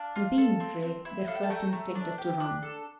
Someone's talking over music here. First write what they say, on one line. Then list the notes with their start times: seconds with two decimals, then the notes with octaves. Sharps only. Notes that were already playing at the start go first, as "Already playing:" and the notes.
And being afraid, their first instinct is to--run.
Already playing: D4 F5 A5
0.16 F4
0.38 A4
0.60 C4
0.83 C4
1.05 E4
1.28 A4 F5
1.35 G5
1.43 A5
1.50 A3 G5 A#5
1.73 A3
1.95 D4
2.18 G4
2.40 D4
2.63 A4